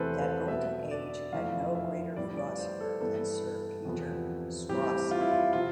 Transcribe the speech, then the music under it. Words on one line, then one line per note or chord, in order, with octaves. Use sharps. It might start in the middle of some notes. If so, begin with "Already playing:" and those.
That golden age had no greater philosopher than Sir Peter Strawson.
Already playing: E2 C3 E3 A3 C4 A4 B4 C5
B4
B2 B3 E5
D5
F2 E3 A3 F5
E5
A2 G3 B3 D5
D5
C5
A4
G2 E3 B3 A4
E2 C3 F3 B3
A2 E3 G3 C4 G4
F4
E4
F4
C3 F3 F4